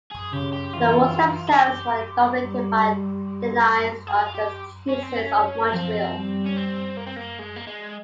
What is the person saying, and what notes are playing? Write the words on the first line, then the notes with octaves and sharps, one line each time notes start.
The awards themselves were dominated by Denys Arcand's "Jesus of Montreal".
G#4
C#3 G4
G4
E3 F4
G#4
G4
G3
G#4
F4
G4
C#4
C4
C#4
A#3
F3 C4
G3
C#4
C4
A#3
C4
A#3
G#3
A#3
G#3